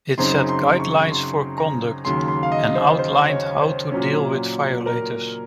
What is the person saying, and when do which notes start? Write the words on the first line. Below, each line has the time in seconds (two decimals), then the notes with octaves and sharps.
It set guidelines for conduct and outlined how to deal with violators.
0.18 F#2 C#3 F#3 C4 D#4 C6
0.49 C6
0.80 C#6
1.12 C6
1.58 A#5
2.05 D#2 C#3 F#3 C6
2.28 C6
2.43 F5
2.52 D#5
2.75 C5
2.99 C5
3.29 C#5
3.61 C5
3.92 A#2 F#3 C#4
4.86 A#4